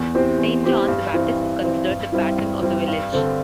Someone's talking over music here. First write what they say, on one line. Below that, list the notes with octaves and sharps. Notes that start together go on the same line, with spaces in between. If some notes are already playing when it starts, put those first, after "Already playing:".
Saint John the Baptist is considered the patron of the village.
Already playing: E2
E3 C4 G4 C5
E2
E3 C4 G4 C5
G2
E3 C4
G2
E3 C4
G2
G3 C4 E4
G2
G3 C4 E4
G2
D3 C4 A4